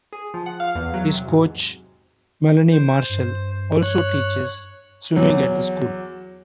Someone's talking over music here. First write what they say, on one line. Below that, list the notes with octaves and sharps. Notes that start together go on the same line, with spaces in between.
His coach, Melanie Marshall also teaches swimming at the school.
G#4
F3
F#5
F5
E2
F#3
C3
G#2
C5
G2
C#5 F#6
E2 F#3